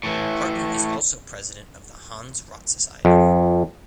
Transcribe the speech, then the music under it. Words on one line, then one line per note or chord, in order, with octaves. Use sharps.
Harten is also President of the Hans Rott Society.
A2 E3
F2